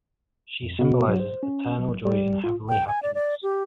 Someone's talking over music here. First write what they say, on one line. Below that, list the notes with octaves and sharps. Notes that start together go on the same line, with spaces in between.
She symbolizes eternal joy and heavenly happiness.
F2
B2
F#3
C5
C#4
F#3
G3
F4
G5
G#5
D5
D5
G4